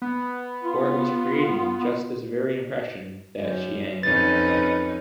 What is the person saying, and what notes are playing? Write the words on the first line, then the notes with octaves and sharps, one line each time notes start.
For it was at creating just this very impression that she aimed.
B3
F4
F#2
F2 C#4 D#4 B4 A6